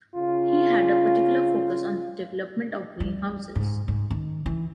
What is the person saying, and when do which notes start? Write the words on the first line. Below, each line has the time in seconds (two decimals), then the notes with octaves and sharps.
He had a particular focus on the development of greenhouses.
0.16 C#3 F4
3.00 G3
3.56 G#2
3.88 G#2
4.10 D#3
4.46 E3